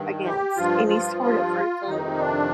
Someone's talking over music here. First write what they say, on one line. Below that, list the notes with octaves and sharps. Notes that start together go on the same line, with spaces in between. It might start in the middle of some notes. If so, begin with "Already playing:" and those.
against any sort of routine
Already playing: G2 D#3
G4
G2 F3 F4
F4
F4
F2 C3 D#3 D#4
D4